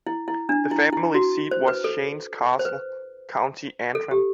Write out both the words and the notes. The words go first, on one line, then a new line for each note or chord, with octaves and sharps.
The family seat was Shane's Castle, County Antrim.
E4
E4
D4
E4
E4
F#4
C5
B4
A4
C5
B4
A4
G4